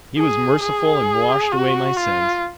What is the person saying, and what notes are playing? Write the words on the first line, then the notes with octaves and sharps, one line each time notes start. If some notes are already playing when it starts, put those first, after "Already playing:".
He was merciful and washed away my sins.
G#4
G#4
F#4
F4